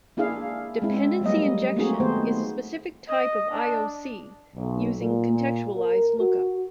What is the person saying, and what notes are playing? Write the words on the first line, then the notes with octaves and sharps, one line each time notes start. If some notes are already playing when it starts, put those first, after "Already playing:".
Dependency injection is a specific type of IoC using contextualized lookup.
A#3 D4 E4 G#4 F5
G#3 C4 E4
F#3 G3 A#3 D#5
A3 A#3 C4 D#4 F#4 G#4
D#3 A3 B3 C5
D#5
D4
B1
A#2
A#4
F#4